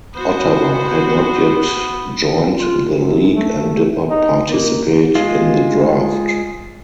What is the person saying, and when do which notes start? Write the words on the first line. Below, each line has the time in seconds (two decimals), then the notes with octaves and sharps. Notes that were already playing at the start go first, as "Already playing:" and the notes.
Ottawa had not yet joined the league and did not participate in the draft.
0.15 B3 F#4 C5
2.57 F4
2.98 F#2
3.35 A3
4.09 D#4
4.50 A#3
5.15 G#3 F4